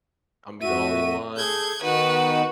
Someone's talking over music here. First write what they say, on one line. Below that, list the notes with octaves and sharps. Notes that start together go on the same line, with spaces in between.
I'll be the only one
F2 F#4 E5 D#7
G#4 A4 G6 G#6
D#3 B3 D#4 F#4 B4